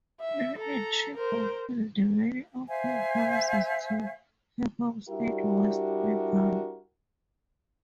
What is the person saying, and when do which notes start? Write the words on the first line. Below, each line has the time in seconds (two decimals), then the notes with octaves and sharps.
In it she fulfilled many of her promises to her home state West Bengal.
0.21 E5
0.59 A4 A#5
1.15 A#4 C5
2.68 C5 E5 F5 G#5
5.09 G3 D4 E4 F#4 G4 A#4